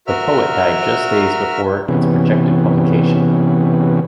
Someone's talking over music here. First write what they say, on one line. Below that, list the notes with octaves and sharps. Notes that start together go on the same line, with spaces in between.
The poet died just days before its projected publication.
F#4 A#4 E5 F6
C3 E3 B3 C#4